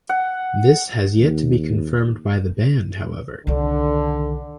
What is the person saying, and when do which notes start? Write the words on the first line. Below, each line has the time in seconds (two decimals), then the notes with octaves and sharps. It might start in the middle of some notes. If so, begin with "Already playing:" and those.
This has yet to be confirmed by the band, however.
0.09 F#5
1.21 D#2
3.47 C2 D3 D#3